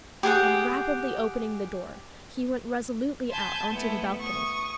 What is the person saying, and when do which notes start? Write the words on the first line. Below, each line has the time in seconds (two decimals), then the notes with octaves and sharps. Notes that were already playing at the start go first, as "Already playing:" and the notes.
And rapidly opening the door he went resolutely out onto the balcony.
0.23 G4 G#4 F#5 G5
3.31 G#5 A5 B5 C6 G6 A6
3.71 A3 B3 E4
4.21 C#6 D#6